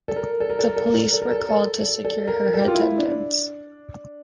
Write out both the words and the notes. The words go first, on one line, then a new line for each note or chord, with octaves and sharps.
The police were called to secure her attendance.
A4
A#4
A4
A#4
A4
A#4
A4
A#4
A4
A#4
A4
A#4
A4
A#4
A4
A4
A4
A#4
A4
G4
F4
E4
D4